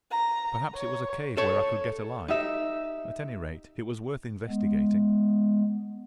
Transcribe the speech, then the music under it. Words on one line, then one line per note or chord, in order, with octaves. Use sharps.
Perhaps it was a cave where I could get a light--at any rate, it was worth investigating.
A#5
C#5
A4 C#5
D#4 G4 E5
G#3 B3